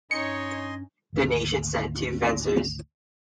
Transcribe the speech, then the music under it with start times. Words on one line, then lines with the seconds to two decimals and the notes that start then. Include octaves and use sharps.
The nation sent two fencers.
0.11 G2 C#4 D#4 C#5 D#5 G#5 C6 C#7
1.13 G#1 D2 A#3